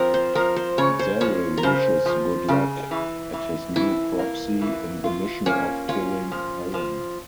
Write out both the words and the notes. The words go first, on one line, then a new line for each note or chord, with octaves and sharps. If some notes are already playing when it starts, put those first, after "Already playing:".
Daryll wishes "good luck" at his new proxy in the mission of killing Helen.
Already playing: F3 C4 A#4
C5
F3 A#4
C5
C#3 C#5
C5
F3 C#5
A#4
C#3 C5
F3
C#3
E3
E3
E3 E4
A#3
E3
F4
A#3 C#4
C#4 F4
F3
F3